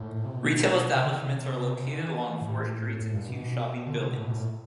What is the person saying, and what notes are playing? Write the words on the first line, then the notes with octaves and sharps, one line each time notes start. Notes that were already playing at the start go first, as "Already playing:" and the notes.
Retail establishments are located along four streets and two shopping buildings.
Already playing: A2
C3
B2
C3
D3
E3
C3
C3
D3
E3
A2
A2
G2
B2
D3
C3
B2
A2
B2
A2